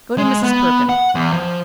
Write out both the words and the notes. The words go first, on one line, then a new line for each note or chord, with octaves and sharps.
Go to Mrs. Perkin.
G#3
B3
F#5
E2
F3